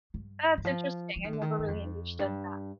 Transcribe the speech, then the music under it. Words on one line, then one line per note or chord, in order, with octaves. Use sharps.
That's interesting. I never really understood that.
G2
D#3
F3
F3
D#3
D3
D#3
G2
F2
G2